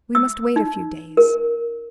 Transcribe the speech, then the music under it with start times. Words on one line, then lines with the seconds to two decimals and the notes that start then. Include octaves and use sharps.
We must wait a few days.
0.15 E6
0.56 D#4
1.17 A#4